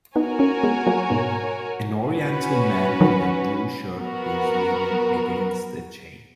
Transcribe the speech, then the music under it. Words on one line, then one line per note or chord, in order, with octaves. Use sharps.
An oriental man in a blue shirt is leaning against a chain.
B3 D#4 F#4 A#4 C#5 G#5
A#3 C#4
G#3 B3
F#3 A#3
G#2 B2
C#4 F#4 B4
D#3 F#3
B3 F#4 A#4